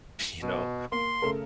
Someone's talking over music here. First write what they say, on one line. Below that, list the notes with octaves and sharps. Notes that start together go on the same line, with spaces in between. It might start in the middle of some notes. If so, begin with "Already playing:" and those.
you know?
B2
A#3 C6
C#3 A3 A#4